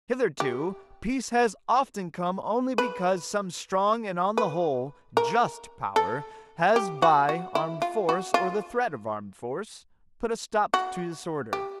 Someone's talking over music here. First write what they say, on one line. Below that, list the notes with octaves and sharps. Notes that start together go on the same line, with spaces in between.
Hitherto peace has often come only because some strong and on the whole just power has by armed force, or the threat of armed force, put a stop to disorder.
G4
B4
B4
A#4
A4
G4
F#4
F#4
E4
F4
F#4
F4
F#4
G4